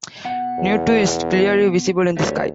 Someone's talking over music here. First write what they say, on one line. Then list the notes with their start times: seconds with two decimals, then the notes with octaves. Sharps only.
Ne'tu is clearly visible in the sky.
0.25 B2 F#5
0.59 E2
2.17 D2 A3 G4 C#5